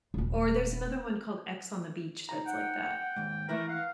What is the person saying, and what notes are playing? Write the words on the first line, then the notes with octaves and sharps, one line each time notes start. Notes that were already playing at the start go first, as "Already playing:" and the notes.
Or there's another one called X on the Beach that's like that.
D#1 B3
D#4 A#5
F#5 G5
D#2 G#2
E3 A3 E4 A#4 B4
F5 F#5